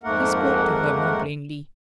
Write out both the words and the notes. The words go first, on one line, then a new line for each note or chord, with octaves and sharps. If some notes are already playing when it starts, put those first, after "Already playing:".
He spoke to her more plainly.
F2 G#2 A3 A#3 A#4 F#5